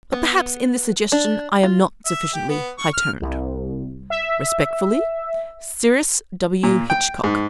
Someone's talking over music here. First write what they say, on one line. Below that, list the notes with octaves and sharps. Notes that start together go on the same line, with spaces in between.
But, perhaps in this suggestion I am not sufficiently high-toned.--Respectfully, CYRUS W. HITCHCOCK.
B3
D4
F4
E5
G4
B3
C#6
F6
C2
E5
A#2
G5
G#2